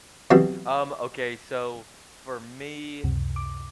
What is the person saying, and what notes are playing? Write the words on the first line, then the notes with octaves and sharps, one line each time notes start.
Um, okay, so, for me,
B2 E3 F#3 G3 C4
C#2 F#2 C3
D6